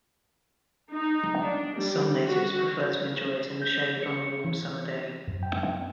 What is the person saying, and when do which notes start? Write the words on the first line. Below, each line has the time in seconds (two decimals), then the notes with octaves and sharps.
Some natives prefer to enjoy it in the shade on a warm summer day.
0.92 D#4
1.43 D4
1.78 G3
2.26 F#4
3.62 G6
4.03 C#7
4.45 E3
5.28 F#2
5.43 G5